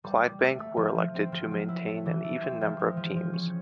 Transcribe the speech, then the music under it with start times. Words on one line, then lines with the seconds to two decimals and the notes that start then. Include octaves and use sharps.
Clydebank were elected to maintain an even number of teams.
0.04 G3
0.22 G3
0.40 A3
0.59 A3
0.77 F3
0.95 F3
1.14 C4
1.32 F3
1.51 F#3
1.69 E4
1.87 A3
2.06 E3
2.24 A3
2.43 C4
2.61 F3
2.79 G#3
2.97 F3
3.16 F3
3.33 C#4